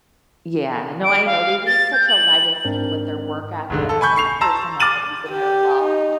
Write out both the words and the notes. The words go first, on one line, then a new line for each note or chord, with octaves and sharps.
Yeah, no, I know, they leave such a legacy with their work ethic and their personalities and their love.
D7
F5
A6
G6
F#7
G#2 C4 D4 A#4
F1 G#2 D3
A4
G#5 B5 C#6 G6
C#6 C7 F7
A5 A#5 C6 E6 E7
D6 F6 A6 D#7 F#7
G4
D#4